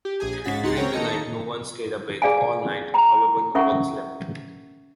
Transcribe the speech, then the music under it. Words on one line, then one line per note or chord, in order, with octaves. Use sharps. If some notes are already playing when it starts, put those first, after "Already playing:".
During the night, no one stayed awake all night, however no one slept.
G4
A#1 G#4 G#5
G#2 C#3 G#3 F#4 A6 B6
C#2 D#4 F#5 C6 A6 C#7
C4 A#4 C#5 G5 A#6
D#2 D#4 A4 D#5 A#5 C#7
G#4 D5 F5 G5 G#5
G5 A#5
C#4 A#4 E5 F#5 G5 C#6